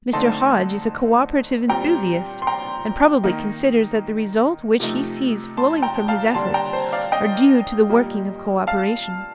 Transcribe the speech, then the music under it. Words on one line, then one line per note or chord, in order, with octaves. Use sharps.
Mr. Hodge is a co-operative enthusiast and probably considers that the result which he sees flowing from his efforts are due to the working of co-operation.
D3 A3 C4 D#4 A5 C6
A#2 G3 C4 G5 A#5
C6
G5 A#5
D#3 A#3 D#4
C3 F3 A3 D#4
A5 C6
G5 A#5
F5 A5
D3 G3 A#3 D4 A5 C6
G5 A#5
C5
D5 F5
D#5 G5
A#2 G3 A#3
F5 A5